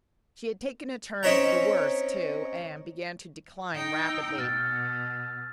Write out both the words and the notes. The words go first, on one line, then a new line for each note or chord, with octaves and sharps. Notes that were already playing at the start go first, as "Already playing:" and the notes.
She had taken a turn for the worse, too, and began to decline rapidly.
C4 C#4 D#4 C#5 E5 A#5
D#4 G5
E6 G6
B2 F6 A6